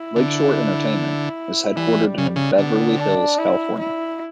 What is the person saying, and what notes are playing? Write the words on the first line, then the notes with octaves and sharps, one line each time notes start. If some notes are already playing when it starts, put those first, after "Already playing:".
Lakeshore Entertainment is headquartered in Beverly Hills, California.
Already playing: E4
D3
E3 G3
C#3
C#3
D3 B3
D4
E4
E4